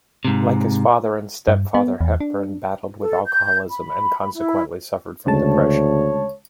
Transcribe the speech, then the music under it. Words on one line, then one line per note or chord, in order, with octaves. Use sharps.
Like his father and stepfather, Hepburn battled with alcoholism and consequently suffered from depression.
G#2 C3
G2
B3
E2
D4
A4
G6
B5
E4
D2 C#3 G#3 C#5 A5